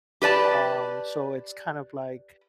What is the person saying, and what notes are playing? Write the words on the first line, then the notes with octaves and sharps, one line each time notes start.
Um, so it's kind of like,
G4 B4 D5 A5